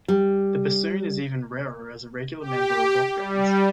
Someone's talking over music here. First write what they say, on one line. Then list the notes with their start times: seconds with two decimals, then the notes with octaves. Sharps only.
The bassoon is even rarer as a regular member of rock bands.
0.08 G3
2.40 G4
3.15 G3